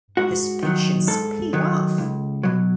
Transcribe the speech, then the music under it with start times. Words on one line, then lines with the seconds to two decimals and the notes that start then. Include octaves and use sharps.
His patience paid off.
0.17 G#2 F#4
0.63 D#3 F#3
1.07 G#2 A4
1.53 D#3 F#3
1.98 C#2
2.43 B2 F#3